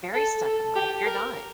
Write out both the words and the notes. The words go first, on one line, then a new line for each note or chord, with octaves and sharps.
very stuck in life. You're not.
A4
A4
G4
A#4